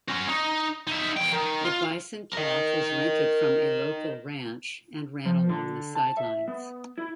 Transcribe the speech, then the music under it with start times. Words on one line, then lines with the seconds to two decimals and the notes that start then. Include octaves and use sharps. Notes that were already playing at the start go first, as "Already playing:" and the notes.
A bison calf was rented from a local ranch and ran along the sidelines.
0.08 C#4 F#4
0.28 D#4
0.87 D#4 E5
1.17 E2 G5
1.33 D#3
1.65 F4
2.33 A#4 D#5
5.26 F3
5.49 D3
5.95 A5
6.17 E5
6.48 B3
6.98 E4